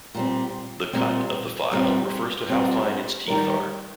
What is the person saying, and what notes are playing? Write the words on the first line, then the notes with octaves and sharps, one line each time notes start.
The "cut" of the file refers to how fine its teeth are.
A#2 G3 C4
A#2 G3 C4
A#2 G3 C4
A#2 G3 C4
D#3 G3 D#4 A#4